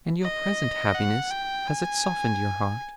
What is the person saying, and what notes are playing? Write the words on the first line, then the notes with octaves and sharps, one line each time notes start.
"And your present happiness, has it softened your heart?"
D#5
F#5
G5
G#5